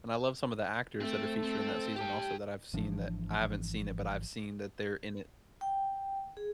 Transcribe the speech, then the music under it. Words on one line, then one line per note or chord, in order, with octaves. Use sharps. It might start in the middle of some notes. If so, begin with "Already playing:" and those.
and I love some of the actors that are featured in that season also that I've seen that I haven't seen it, but I've seen that they're in it.
A3 C4 A4
C4
G4 G5 A5
G#1 E3 F3 D4
G5
G#4